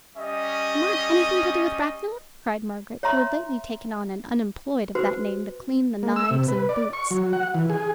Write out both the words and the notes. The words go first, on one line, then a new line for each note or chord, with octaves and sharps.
"Not anything to do with Bracknell?" cried Margaret, who had lately taken on an unemployed of that name to clean the knives and boots.
G3 C#4 D#5
C#5 E5 A#5 C6
F#4 B4 C5
A#3
E6
C3
B4
D5
C#6
F#3
F#5
E3
G#4